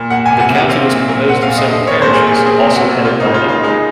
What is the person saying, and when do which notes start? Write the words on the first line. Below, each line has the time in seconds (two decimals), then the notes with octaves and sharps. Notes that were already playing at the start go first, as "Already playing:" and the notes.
The county was composed of several parishes, also headed by an elder.
Already playing: A#2
0.10 A#3 F#5
0.26 G#5
0.30 C3
0.40 F#5
0.50 C3 F#5
0.69 C4 F5
0.89 A#2
1.09 A#2 A#4
1.29 C4 F#5
1.43 F5
1.47 A#2
1.58 D#5
1.67 A#2
1.72 D#5
1.87 C4 C#5
2.02 C5
2.07 A#2 G#4
2.16 A#4
2.27 A#2 G#4
2.46 C4 G#4
2.66 C3
2.76 F#4
2.85 C3
3.05 A#3 F4
3.20 D#4
3.24 C#3
3.34 F4
3.45 C#3 D#4
3.63 G#3 D#4